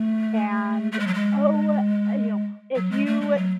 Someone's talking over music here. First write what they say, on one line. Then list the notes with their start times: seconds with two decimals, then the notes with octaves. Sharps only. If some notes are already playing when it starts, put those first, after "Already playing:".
and, oh, you know, if you s
Already playing: A3
0.92 A3
1.00 G#3
1.07 F#3
1.14 G#3
2.76 F#3
2.91 G#3
3.06 A3
3.21 G#3
3.37 F#3